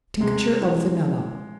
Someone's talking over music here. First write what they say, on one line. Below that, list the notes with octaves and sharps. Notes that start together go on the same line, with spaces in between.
Tincture of Vanilla.
C3 G#3
E4